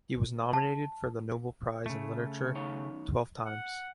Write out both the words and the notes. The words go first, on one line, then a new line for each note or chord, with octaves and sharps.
He was nominated for the Nobel prize in literature twelve times.
A5
C#3 A3
F#2 D#3 C#5
F#5